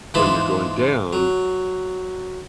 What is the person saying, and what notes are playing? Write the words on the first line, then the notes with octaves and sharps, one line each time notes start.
When you're going down,
G#2 E3 F3 G#3 A5 B5
F#3